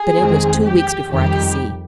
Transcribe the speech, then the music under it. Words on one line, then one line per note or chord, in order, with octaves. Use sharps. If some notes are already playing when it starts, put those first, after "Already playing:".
But it was two weeks before I could see.
Already playing: G#4
F2 D#3 G#3 C4
G4
F2 D#3 G3 G4